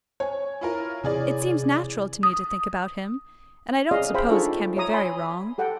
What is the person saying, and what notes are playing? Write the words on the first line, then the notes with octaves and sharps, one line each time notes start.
It seems natural to me to think about him, and I don't suppose it can be very wrong.
C#5 G#5
E4 F4 A#4
C3 E3 G#4 D5
D#6
C#4 G#4 D5 D#5 F5 D#6
G#4 C5 E5 F5 G5 B5
D4 D#4 F4 G#4 A4 C#6
C#5 E5 A#5 D#6
G#5 B5 C6
G4 A4 F#5 G5